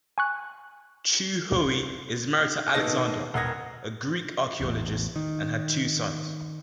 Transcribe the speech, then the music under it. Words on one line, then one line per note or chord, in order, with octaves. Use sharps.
Choo Hoey is married to Alexandra, a Greek archaeologist, and had two sons.
G#5 C#6 F#6
B2 D#3 A4 D#5 A#6
E1 A#4 F#5 D#6 G#6 A#6
A1 E2
D#3